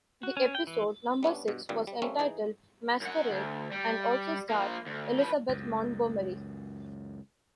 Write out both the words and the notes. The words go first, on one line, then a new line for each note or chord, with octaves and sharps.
The episode, number six, was entitled "Masquerade" and also starred Elizabeth Montgomery.
F#4
C#4
G5
E3
G3 B3 C#4 D4
G2 B2
G#1 G2 A#2 G3
G3
G3 A3 A#3 C4 C#4
E3 D#4 G#4
F#2 F#5
D2
G3
F3 A#3
D2
F3 B4
C#2 F#2